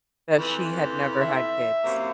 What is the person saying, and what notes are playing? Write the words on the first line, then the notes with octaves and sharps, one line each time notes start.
that she had never had kids.
F2 E3
E5
F#2 C3 A#3